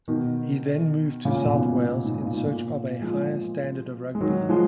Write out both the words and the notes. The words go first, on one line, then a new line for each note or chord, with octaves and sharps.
He then moved to South Wales in search of a higher standard of rugby.
B2 D#3
A#2 C#3
C#3
G#2 B2
G#2
A#2
G#2
A#2
F3 G#3
G#3
D#3 F#3
F3 G#3